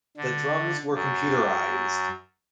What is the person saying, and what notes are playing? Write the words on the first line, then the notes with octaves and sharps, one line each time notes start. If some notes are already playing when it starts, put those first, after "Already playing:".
The drums were computerised.
D3
F#2